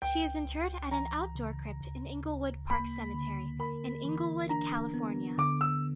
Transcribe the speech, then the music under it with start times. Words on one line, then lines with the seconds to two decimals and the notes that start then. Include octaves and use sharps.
She is interred in an outdoor crypt at Inglewood Park Cemetery in Inglewood, California.
0.02 C#2 G5
0.46 C#2
0.91 E3 A#5
1.35 C#3
1.81 D2
2.25 D2
2.70 A#3 B5
3.14 D3
3.60 A#4 B5
4.05 E3
4.49 D4 A#5
4.94 B3
5.38 D3 D6
5.61 E6